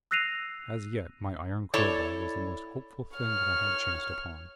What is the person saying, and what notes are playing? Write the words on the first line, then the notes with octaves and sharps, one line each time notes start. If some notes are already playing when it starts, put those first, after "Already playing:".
As yet my iron crowbar was the most helpful thing I had chanced upon.
E6 F#6 A#6 C7 D#7 F7
E4 A4 C#5 D5
C#5 F6